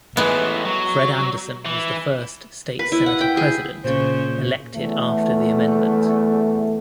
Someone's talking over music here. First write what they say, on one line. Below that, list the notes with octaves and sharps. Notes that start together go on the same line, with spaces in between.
Fred Anderson was the first state senate president elected after the amendment.
A2 E3 G#3 B3
F#3
E3
B4
E4
F#5
G5
G#4
A#2 C#3 C5
E2 A3